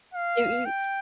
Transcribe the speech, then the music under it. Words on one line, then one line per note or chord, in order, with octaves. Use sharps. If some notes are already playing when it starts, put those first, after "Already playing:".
You you
F5
G5